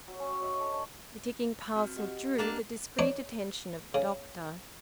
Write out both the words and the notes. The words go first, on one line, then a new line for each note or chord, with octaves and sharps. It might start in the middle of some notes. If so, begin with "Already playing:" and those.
The ticking parcel drew the discreet attention of the doctor.
F#3 E6
C#4 G5
F#4 C#5 D#5 E5
A4
D4 C5 C#5
C4 F#4 F6
G4 D#5 F#5
A#3 D4 A5
D4 D#4 C#5
C#3